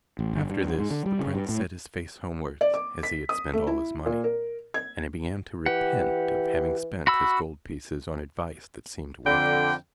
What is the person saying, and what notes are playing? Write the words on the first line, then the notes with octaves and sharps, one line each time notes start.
After this the prince set his face homewards as he had spent all his money; and he began to repent of having spent his gold pieces on advice that seemed worthless.
A1
G1
G2
E2
G#2
D3
G3
C#3
G2
A2
D5
D6
B6
D#6
A3
E4
A#2
A#4
G#6
E3 G4 F#5
F#4 B5 E6
F2 D3 G5